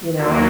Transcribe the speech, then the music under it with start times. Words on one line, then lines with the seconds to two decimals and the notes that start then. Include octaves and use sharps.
You know?
0.16 D#2 D#3 F#3 A#3